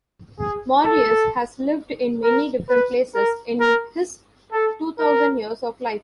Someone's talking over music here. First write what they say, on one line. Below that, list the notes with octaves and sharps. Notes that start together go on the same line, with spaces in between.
Marius has lived in many different places in his two thousand years of life.
G#4
A4
A#4
B4
A#4
A#4
A4
A#4